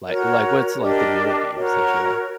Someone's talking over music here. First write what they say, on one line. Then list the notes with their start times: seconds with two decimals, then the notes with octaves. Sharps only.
like like, what's, like, the newer games that you like?
0.05 F#4 A#4 C#5
0.80 D4 G4 A#4 D#5
1.55 F#4 A#4 C#5